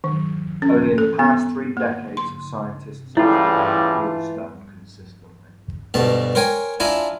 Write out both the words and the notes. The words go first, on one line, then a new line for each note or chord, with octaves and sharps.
Only in the past three decades have scientists used the name "Heel Stone" consistently.
D#3
C#4
A4
B3
A#3
C6
A2 C#3 E3 G3 A3 E4 F4 A4
D2 G2 B2 A5
A#4 C5 C#5 G5 G#5
D4 E4 F4 G#5 A#5